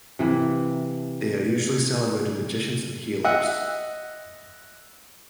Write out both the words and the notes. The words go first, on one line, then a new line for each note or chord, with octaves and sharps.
They are usually celebrated magicians and healers.
C3 E3 A#3
D#5 E5 F#5